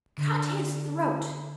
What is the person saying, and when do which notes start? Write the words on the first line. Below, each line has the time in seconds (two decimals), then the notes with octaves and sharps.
"Cut his throat."
0.18 D3